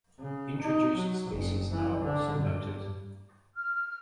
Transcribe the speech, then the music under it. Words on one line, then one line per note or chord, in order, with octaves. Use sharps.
Introduced species are also noted.
C#3
D#4
F#3
F#1
E3
D3
G2
F6